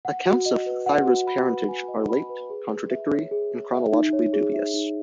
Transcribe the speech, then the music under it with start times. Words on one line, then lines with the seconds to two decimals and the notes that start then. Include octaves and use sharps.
Accounts of Thyra's parentage are late, contradictory and chronologically dubious.
0.05 F#5
0.25 F#4
0.46 D#5
0.66 B4
0.86 F#5
1.07 F#4
1.27 B5
1.48 B4
1.68 G#5
1.88 D#5
2.09 B5
2.29 B4
2.50 G#4
2.70 G#4
2.90 E5
3.11 C#5
3.31 G#4
3.52 G#4
3.72 E5
3.93 D#4
4.13 C#5
4.33 G#4
4.54 E5
4.74 D#4